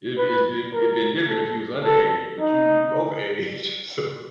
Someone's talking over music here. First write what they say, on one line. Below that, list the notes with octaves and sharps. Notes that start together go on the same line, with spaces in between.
it it's been it'd been different if he was underage, but you you overage, so
B4
A#4
A4
A4
D#4